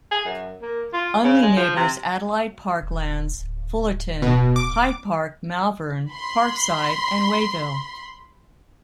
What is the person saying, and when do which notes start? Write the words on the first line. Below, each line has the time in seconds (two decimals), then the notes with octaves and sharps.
Unley neighbours Adelaide Park Lands, Fullarton, Hyde Park, Malvern, Parkside and Wayville.
0.11 G#4
0.25 F#2
0.62 A#3
0.93 F4
1.24 C#3
1.42 G#3
1.56 F3
1.76 C3
2.82 D#1
3.34 D1
4.22 B2
4.56 D6
6.11 B5 C6